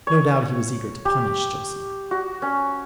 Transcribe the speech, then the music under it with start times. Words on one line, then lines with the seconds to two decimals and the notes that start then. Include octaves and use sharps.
No doubt he was eager to punish Josiana.
0.07 C#5
1.05 G4
2.11 F#4
2.42 C#4